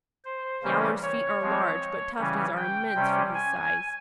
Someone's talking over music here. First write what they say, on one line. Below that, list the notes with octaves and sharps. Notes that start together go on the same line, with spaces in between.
Yowler's feet are large, but Tufty's are immense for his size.
C5
C#3 E3 G3 A#3 C#4
C#5
F3 G#3 C4
C#3 E3 G3 C#4
G5
C3 G3 C#4
G#5